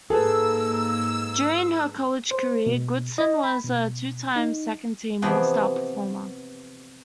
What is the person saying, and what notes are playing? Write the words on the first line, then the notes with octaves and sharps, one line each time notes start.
During her college career, Goodson was a two-time second team All-Star performer.
G#2 A#3 G#4 A4 B4 E6
C5
B2
D#5
B5
B2
D#4
C3 E3 F3 B3 G4 G#4